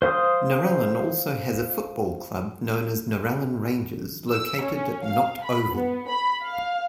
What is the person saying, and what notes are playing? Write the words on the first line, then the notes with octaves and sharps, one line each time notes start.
Narellan also has a football club known as Narellan Rangers located at Nott Oval.
C5 F5 C6 D#6
E6
C#4
F5
B5
B3
B5
F5